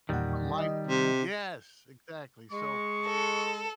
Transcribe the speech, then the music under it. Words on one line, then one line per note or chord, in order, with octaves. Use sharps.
l life Yes, exactly. So,
E2 A#2 D#3 G3 F#5
D#5
C3
G#3 C#6
A4